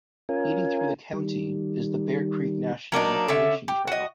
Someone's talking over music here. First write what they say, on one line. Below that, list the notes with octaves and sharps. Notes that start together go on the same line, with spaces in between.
Leading through the county is the Bear Creek National Recreation Trail.
C#4 F4 A#4 G#5
D#3 G3
F#3 A#3 D4 D#4
D3 C#4 E5
G4
F#4 D#5